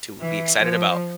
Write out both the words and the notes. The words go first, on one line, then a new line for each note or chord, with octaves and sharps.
to be excited about.
E3
F3